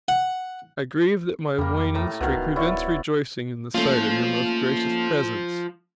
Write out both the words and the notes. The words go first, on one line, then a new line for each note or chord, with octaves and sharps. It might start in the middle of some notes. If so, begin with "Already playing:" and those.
I grieve that my waning strength prevents rejoicing in the sight of your most gracious presence.
F#5
F2 G3 A#3
A2 A#5
C2 B2 D#3 F5
D1
E4 C#5 D5
F3 A3 A#3 C#4 F4